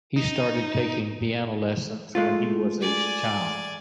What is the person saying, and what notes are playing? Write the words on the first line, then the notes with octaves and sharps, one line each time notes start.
He started taking piano lessons when he was a child.
D#4
G#3 A3 F4
D5 G#5